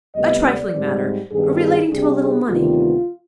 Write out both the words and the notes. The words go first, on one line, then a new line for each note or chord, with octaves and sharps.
A trifling matter, relating to a little money.
D2 C3 G3 B3 D#5
D5
G#2 G3 C4
G2 D#3 B3 G#4
G#4
C3 G3 D4 G#4
G#4
D2 C3 D#3 G3 B3 F4